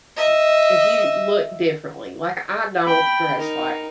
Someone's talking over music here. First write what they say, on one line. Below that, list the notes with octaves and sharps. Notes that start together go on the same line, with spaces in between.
mm if you look differently like, I don't dress like
D#5 E5
G5 B5
D#4 A#4